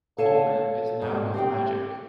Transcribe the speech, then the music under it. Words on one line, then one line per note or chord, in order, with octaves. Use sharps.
Colman is now with Magic.
A4 C#5 F5 G#5 A5
G#2 G3
C4 G4 F5 G5